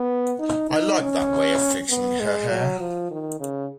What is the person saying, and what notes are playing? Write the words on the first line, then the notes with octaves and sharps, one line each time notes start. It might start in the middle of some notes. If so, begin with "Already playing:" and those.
I like that way of fixing her hair.
Already playing: B3
D#4
D#4
C#4
B3
G#3
F#3
F3
D#3
C#3